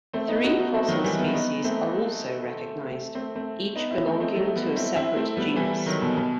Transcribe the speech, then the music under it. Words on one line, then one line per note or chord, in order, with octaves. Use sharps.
Three fossil species are also recognised, each belonging to a separate genus.
A3 C4
B3 D#4
D#4 F#4
B3 D#4
A3 C4
D#3 F#3
E3 G3
G3 B3
B3 D#4
A3 C4
A3 C4
A3 C4
B3 D#4
C4 E4
A3 C4
A3 C4
F#3 A3
G3 B3
C4 E4
C4 E4
A3 C4
G3 B3
E3 G3
D#3 F#3
B2
B2